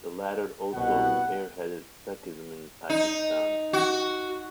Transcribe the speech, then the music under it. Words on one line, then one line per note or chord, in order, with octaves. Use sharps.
The latter also spearheaded Stuckism in Pakistan.
C2 B2 F#5
D#4
F#4